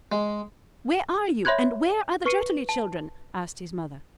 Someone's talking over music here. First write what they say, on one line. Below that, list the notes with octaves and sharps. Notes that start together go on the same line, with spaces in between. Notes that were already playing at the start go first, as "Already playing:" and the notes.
"Where are you, and where are the Jutterly children?" asked his mother.
G#3
C#5 E5 B5 C6 F#6 G#6
B4 C#6 C7 C#7 D#7
A5